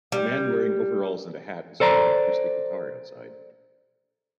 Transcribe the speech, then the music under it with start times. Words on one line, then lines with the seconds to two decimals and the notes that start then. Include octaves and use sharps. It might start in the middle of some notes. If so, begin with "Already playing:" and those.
A man wearing overalls and a hat is playing acoustic guitar outside.
0.12 G3
1.80 A4 C5 D5 A#5